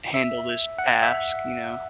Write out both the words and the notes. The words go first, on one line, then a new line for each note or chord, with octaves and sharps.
handle this task," you know?
E5
F#5
E5